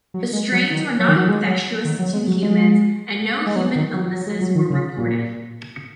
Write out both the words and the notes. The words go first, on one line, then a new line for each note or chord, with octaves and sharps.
The strains were not infectious to humans, and no human illnesses were reported.
F#3
G#3
F#3
D#3
F#3
D#3
F#3
G#3
F#3
D#3
F#3
G#3
F#3
G#3
G#3
F#3
D#3
F#3
F#3
G#3
F#3
D#3
C#3
A#2